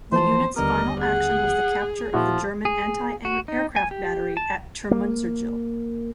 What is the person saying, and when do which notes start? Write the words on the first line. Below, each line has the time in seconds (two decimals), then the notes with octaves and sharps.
The unit's final action was the capture of the German anti-aircraft battery at Termunterzijl.
0.12 E3 F3 C5 A5
0.56 D#2 D3 G3 B3 A#4 D#5
1.00 G#4 F#5
2.14 A#2 F3 E4 F#4
2.65 G#4
3.25 F#4
3.48 D#4
3.76 G#5
3.91 G4
4.37 A5
4.91 A#3